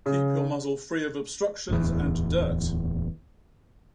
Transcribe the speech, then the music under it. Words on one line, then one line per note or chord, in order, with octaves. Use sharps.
Keep your muzzle free of obstructions and dirt.
C#3
D1 E2